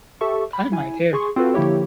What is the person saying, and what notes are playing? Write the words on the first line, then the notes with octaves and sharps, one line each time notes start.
Time I did.
G4 A4 E5 A5 C#6
B5
E4 G#5
G#4 C6 C#6
C4 F4 F#4 A4 B4
D3 F3 A#3 E4 G4 C#5